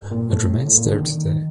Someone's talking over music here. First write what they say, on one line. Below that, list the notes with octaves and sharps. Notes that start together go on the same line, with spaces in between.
It remains there today.
A#2
A2
A2
A2
A#2
D3
D#3